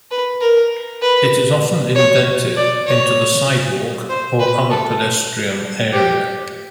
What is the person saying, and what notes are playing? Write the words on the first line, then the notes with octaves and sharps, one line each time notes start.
It is often indented into the sidewalk or other pedestrian area.
B4
A#4
B4
C#5
D5
C#5
C5
B4
A4
G4